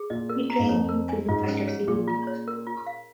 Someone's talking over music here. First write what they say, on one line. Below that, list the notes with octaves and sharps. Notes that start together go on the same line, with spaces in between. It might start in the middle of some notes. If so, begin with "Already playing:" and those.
He trained new freedom fighters in India.
Already playing: G#4
A#2 D#5
A#4
A#5
G#2
F2 C#5
A#4
G#5
G#2 F4
C#4
C#5
A#2 G#4
F4
C#5
A#4
F4
F5